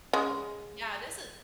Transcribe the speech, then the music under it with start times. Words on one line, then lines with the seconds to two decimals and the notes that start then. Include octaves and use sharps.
Yeah, this i
0.13 C#3 G#3